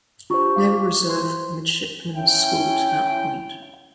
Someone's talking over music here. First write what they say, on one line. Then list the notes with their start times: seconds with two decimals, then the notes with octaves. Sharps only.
Naval Reserve Midshipmen's School to that point.
0.30 D4 F4 G4 C5 C#6
0.56 F5 D6
1.07 C5 C6
2.16 C#4 E4 G5